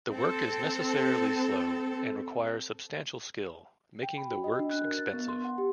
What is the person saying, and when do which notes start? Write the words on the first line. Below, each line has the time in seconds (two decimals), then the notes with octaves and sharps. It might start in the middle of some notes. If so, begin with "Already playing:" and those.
The work is necessarily slow and requires substantial skill, making the works expensive.
0.10 C4 A4
4.03 G5
4.18 B5
4.31 F#4
4.44 D#5
4.59 D4
4.71 F#6
4.85 A#4
4.98 A6
5.13 B3
5.28 C6
5.45 F#5
5.58 G4